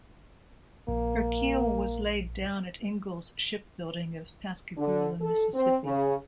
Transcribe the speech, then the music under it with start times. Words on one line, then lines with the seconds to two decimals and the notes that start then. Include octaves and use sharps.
Her keel was laid down at Ingalls Shipbuilding of Pascagoula, Mississippi.
0.88 A#1 A#3
4.77 D3
5.21 A4
5.54 C4
5.84 C#3